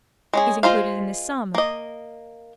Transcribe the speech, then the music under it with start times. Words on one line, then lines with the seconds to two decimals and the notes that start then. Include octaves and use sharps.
"Is included in this sum."
0.33 G#3 C#4 G#4
0.63 G#3 F4 C5 F5
1.55 A#3 D#5